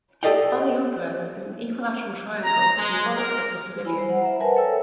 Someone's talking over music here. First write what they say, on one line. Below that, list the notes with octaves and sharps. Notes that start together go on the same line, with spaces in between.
On the obverse is an equilateral triangle symbolic of the civilian.
G4 A4 D5 D#5 F5 G5
A#5
G#3
A#4
E4 G#5 B5
G3 C5
F#5
E5 A#5
A#4 B4 F#5 G#5 A5
A4 C#5 E5 G5 G#5 E6